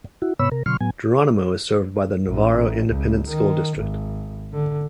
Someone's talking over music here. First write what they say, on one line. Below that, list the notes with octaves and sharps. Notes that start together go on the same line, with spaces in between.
Geronimo is served by the Navarro Independent School District.
E4 F#4
G#2 C3 B3 C#5 B5 E6
C3 A#4
B2 D3 F#3 C6 C#6 F6
A2 F#3 B3 G#5
A1
C#2
D#3
G#1
D3